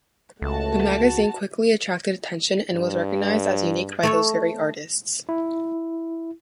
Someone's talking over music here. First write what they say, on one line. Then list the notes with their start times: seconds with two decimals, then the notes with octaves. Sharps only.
The magazine quickly attracted attention and was recognized as unique by those very artists.
0.42 C#2 A3 F#4 A5
2.72 G2
4.03 A3 A4 C#5
5.29 E4